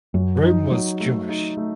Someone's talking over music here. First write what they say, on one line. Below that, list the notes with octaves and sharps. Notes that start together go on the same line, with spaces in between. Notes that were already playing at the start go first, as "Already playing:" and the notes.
Rome was Jewish.
F#2 F#3
D#4
F#3
A3
D#4
A3